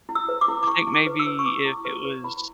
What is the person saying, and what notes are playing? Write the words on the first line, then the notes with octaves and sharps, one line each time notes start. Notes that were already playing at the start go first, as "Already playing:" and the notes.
I think maybe if it was
E4
E6
B4
D6
E4
D6
E4 C#6
E4
D6
B4
E6
B4
C#6
E4 D6
E4
B4 C#6
B4
E4 B5